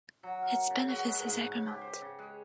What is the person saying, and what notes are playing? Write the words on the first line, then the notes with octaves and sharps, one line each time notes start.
Its benefice is Egremont.
F#3
A#4
C#3
F#4
G#3
G#2
B4
C#3
G4
C5
C#3
G#3